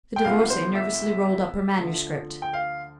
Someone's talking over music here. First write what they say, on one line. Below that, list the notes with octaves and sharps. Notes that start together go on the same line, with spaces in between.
The Divorcee nervously rolled up her manuscript.
G5
D2 C3 F3 B3 F5
C5
E5
D2 D3 F3
G5
F5